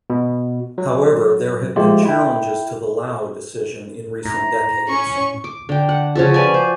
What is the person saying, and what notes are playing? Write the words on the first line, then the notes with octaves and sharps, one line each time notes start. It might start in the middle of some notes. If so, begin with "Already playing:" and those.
However, there have been challenges to the Lau decision in recent decades.
B2
F#3
F3 G#3 A3 F4 G4
E4 G5
A2 A#5
C#4 C#6
D6
D3 G5
F#5
C#3 F3 F#4 A4
B4 D5 G#5
C5